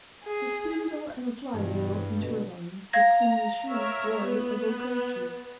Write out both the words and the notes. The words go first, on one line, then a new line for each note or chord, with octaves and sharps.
The spindle and the flywheel and turbine would sing the shrewd glory of Okochee.
G#4
G2 B2 E3 G3
B2 D3 G3
F5 A#5 G#6 A#6
A#4 C#5 E5
B3